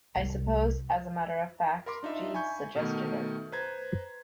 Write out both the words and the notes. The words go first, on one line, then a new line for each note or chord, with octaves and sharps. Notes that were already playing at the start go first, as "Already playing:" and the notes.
I suppose, as a matter of fact, Jeeves suggested it.
C2
A#4 B5 C6 D6
D4 D#4 F4 E5
G#5 B5 C#6 G6
B2 D#3 A3
B4 C5 A#5 G#6